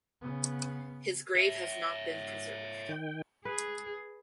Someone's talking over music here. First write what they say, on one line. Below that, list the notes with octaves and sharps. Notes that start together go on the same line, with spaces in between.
His grave has not been preserved.
C#3 B3
C#5 E5
D#3 G5
G#4 B4